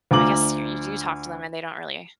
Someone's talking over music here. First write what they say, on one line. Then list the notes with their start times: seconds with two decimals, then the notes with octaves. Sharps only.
I guess you you do talk to them and they don't really
0.11 D2 F4 A#5 D6 F#7